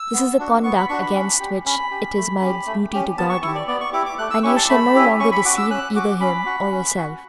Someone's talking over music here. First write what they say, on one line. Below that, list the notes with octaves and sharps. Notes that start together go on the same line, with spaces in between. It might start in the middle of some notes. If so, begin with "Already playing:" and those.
This is a conduct against which it is my duty to guard you, and you shall no longer deceive either him or yourself.
Already playing: E6
B3
D4 F#4
B3 C#6
B5
D4 F#4 C#6
B5
C#4
G4
C#4 B5
G4
A3
C#4 G4
A3
C#4 G4
B3 A5
C#6
E4 G4 C#6
D5
B3 D5
C#6
E4 G4 D6
D6
A3 F#6
E6
C#4 E4 G4 C#6
A5
A3 B5
C#4 E4 G4
C#4 C#6
B5
F#4 D6
E6
C#4 F#6
F#4 D6
C#4 B5
F#4
C#4
F#4